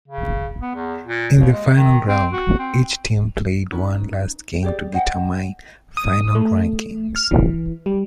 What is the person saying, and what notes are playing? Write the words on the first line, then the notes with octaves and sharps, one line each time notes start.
In the final round, each team played one last game to determine final rankings.
C#3
B3
E2
A#2
D#2
G#3
D#3
C4
F#4
C4
C#4 D#4 B4
G4 G#4 D5
C5 D#5 F#5 G5
D#6
A3
F6
E3
G3